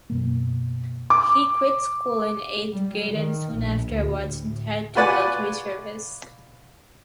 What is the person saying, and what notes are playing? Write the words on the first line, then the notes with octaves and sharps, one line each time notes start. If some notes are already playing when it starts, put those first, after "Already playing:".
He quit school in the eighth grade and soon afterwards entered into military service.
F#2 B2 A#3
D6
G3
D#3
A#1
D2
A2
F4 F#4 B4 D5 F#5 G#5